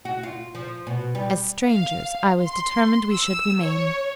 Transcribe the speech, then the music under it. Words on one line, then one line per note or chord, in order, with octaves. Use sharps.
As strangers I was determined we should remain.
F#4
F4
F3
B2
G3
F5
C6
E6
C#5